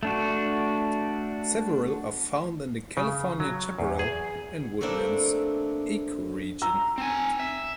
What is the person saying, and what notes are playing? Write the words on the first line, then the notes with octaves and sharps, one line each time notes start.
Several are found in the California chaparral and woodlands ecoregion.
A3 D4 F#4
C#3
F#3
E2
G#4
A3 A#3 C4 D4 E4
A#5 E6
C4 G#5
E5